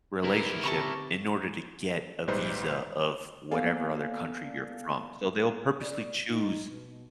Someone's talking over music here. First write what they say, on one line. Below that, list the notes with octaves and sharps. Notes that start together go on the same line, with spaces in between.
relationship in order to get a visa of whatever other country you're from. So, they'll purposely choose
D#4 E4 G4 A#4 B4
D3 C4 G4 A5 A#5 C#6
A#1 G#2 G3 D#4 B4 C5
A#3 B3 A4 D5 F5 G#5
D5
D#4
B2